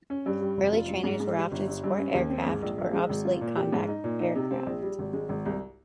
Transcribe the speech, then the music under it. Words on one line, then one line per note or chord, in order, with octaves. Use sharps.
Early trainers were often sport aircraft or obsolete combat aircraft.
C#4
G2
G3
F1
F4
G2
G#2
G#2
G3
G1
G2
G2
C#4
D#2
C4
G#2
A#1
A#1
G#3
G#1
F4
A#2
G4
G#2
D#4
A#2
D#4
C3
C4
A#1
G3
G#1
G#3
G#1
C2